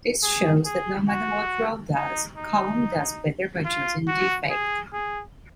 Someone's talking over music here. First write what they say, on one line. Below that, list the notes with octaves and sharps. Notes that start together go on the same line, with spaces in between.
This shows that no matter what row does, column does better by choosing "Defect".
G#4
G#4
F#4
D#4
D#4
F4
F#4
G#4
G#4